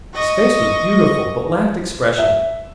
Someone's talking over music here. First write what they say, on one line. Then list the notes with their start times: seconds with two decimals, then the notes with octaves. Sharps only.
His face was beautiful, but lacked expression.
0.14 D#5 C#6
2.18 E5